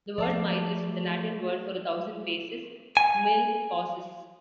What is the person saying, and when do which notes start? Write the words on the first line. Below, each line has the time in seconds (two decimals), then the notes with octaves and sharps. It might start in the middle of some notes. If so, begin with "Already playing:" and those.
The word mile is from the Latin word for a thousand paces: mille passus.
0.18 F3 A3 G#4 B4 D5 A5 C7
2.97 G#5